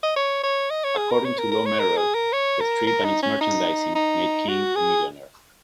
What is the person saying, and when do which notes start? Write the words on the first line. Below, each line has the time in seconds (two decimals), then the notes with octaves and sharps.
According to Lew Merrell, the strip and its merchandising made King a millionaire.
0.03 D#5
0.16 C#5
0.43 C#5
0.70 D#5
0.84 C#5
0.97 G#4
1.11 A#4
1.24 C#5
1.38 A#4
1.52 A#4
1.66 C#5
1.79 A#4
1.97 G#4
2.15 A#4
2.33 C#5
2.60 A#4
2.87 A#4
3.04 D#4
3.23 C#4
3.41 D#4
3.95 D#4
4.48 F#4
4.75 G#4